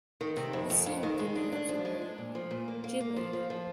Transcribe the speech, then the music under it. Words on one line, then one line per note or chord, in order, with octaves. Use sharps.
This seemed to me absolute gibbering.
D#3
C3
F2
F2
F2
D#3
G#3
D4
D4
F3
G#3
D4
A#2
F3
A#2
A#3
A#3
A#3
F3
F3
F3